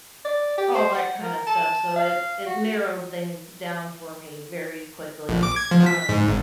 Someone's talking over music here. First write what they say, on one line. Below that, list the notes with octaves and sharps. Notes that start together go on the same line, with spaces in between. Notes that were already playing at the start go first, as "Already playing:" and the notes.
all that kinda stuff, so it it narrowed things down for me very quickly, um
D5
G4
C5
F#5
A#4
A5
F5
F#4
A#1
D6
G#6
F3
B6
G#2
G#1